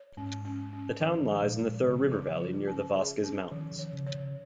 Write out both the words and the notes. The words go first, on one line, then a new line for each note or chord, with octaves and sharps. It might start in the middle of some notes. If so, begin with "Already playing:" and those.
The town lies in the Thur River Valley near the Vosges mountains.
Already playing: C#5
G#2 C#4
C#4
C#4
D#3 F3
G#3
A#2
F3
C#3 F3
F3
F4
C#4
G#4
C#4
D#3 F3
D#3
C#5
C#3
C#5
C#3